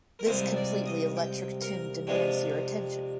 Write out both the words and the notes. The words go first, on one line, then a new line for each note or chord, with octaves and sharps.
This completely electric tune demands your attention!
A#4
C2 C3 F3 G#3 C4 C5
D5
D#5
G5
A#4
F2 C3 F3 G#3 D4 G4